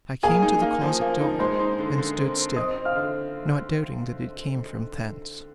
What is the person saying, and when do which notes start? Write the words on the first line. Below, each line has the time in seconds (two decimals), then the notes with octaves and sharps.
I came to the closet-door, and stood still, not doubting that it came from thence.
0.23 A#3 G#4 G#5
0.42 D#4
0.62 A#3
0.82 F3
1.01 A#3
1.21 D#4
1.39 G#3 C5 C6
1.60 D#4
1.79 D3
1.98 D3
2.17 C4
2.37 C4
2.56 C4 D#5 D#6
2.75 C4
2.85 F5 F6
2.95 D3